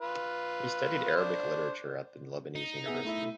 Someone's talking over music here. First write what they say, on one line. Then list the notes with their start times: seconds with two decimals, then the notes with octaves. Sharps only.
He studied Arabic literature at the Lebanese University.
0.01 F4 B4
1.16 D4 C5
2.55 D#4
2.86 B3 G#4 E5
3.05 A3 E4 E5